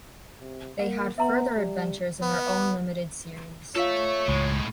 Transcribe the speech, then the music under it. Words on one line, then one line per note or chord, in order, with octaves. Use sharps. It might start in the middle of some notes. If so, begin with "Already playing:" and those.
They had further adventures in their own limited series.
C3
A#3 F#5
B3 E5 A#5 C6
G3
B3
F4 A4 C#5 E5 F5
C#2 A2 G#3